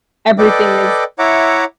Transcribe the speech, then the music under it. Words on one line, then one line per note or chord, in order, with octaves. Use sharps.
everything is
A4 B4 D5 D#5 G5 D6
E4 C#5 E5 F#5 A#5 D6